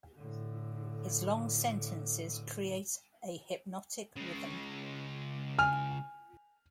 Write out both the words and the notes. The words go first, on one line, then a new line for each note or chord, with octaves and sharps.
His long sentences create a hypnotic rhythm.
A2 D3
C#3 G#3
G#5 F6